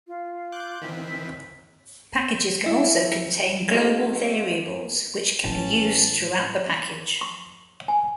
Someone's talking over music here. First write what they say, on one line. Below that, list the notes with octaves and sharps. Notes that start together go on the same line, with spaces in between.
Packages can also contain global variables which can be used throughout the package.
F4
D6 F#6 G6
D#3 E3 C4 B6
E4
A3 C4 D#4 F4 G4 A4
A1 A2 E3 B3 C#4 A5
C#6
G#5